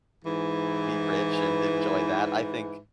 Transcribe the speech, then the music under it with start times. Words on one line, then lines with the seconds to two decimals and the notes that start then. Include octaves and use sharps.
be rich and enjoy that. I think
0.24 G#2 E3